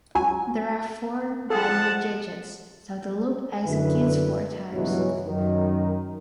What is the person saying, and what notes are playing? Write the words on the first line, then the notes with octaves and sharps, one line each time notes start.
There are four binary digits, so the loop executes four times.
C#2 F#3 G#5
F3 G#4 A4 F#5 A5
F#2 D3 E4 B4
C#2 G2 B2 E3 F#3
F#2 D#3